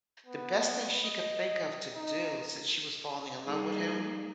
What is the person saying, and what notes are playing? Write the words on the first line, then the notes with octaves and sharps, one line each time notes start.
the best thing she could think of to do, since she was falling in love with him,
B3
D#5
D#4
G3 A#3 D#4 G#4